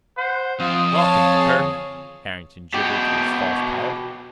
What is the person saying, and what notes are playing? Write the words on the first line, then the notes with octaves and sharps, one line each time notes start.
"Welcome, Gurgurk," Harrington gibbered through his false palate.
C5 F#5
F2 C4 F4 D#5
C#5 F5 A5
G#4
B2 G4